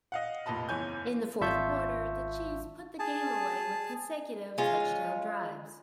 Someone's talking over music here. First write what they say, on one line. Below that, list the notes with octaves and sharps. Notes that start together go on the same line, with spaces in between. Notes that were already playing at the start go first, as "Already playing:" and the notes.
In the fourth quarter, the Chiefs put the game away with consecutive touchdown drives.
D#5 F5 F#5
F1 A#2 D#5 A5 B5
F#1 E2 E3 C#5 G#5 G6
G#1 F4 E5 A5 C#6 G6
G#4 A5
G#3 C#4 F4